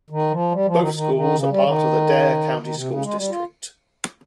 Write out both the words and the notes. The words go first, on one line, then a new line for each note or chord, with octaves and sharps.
Both schools are part of the Dare County Schools district.
D#3
F3
G3
F3
D#3
D#3
D#3
C#3
G3
D#3
D#3
C3
C#3
G#3
G3
F4